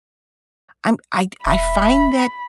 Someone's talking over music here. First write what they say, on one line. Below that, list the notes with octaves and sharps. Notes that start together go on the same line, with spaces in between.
I'm I'd I find that,
E1 E5 B5